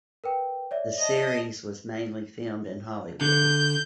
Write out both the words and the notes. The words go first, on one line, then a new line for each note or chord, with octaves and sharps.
The series was mainly filmed in Hollywood.
A#4 B4 G5
C#5 D5 E5
D#5 A5
D3 G6